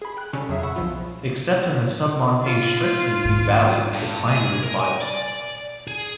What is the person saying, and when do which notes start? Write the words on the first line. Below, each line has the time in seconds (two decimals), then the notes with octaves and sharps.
Except in the submontane strips and deep valleys, the climate is mild.
0.02 G#4 B5
0.17 G5 F#6
0.33 C#3 G3 C#4 A4
0.49 F2 F#3 G#4 E5
0.63 F#5 B5 C#6 E6
0.76 B1 F3 F4
2.43 F4
3.25 G#2 D#3
3.93 G2
4.28 G#4
4.63 A#4
4.80 G#5
5.01 D5
5.87 G#4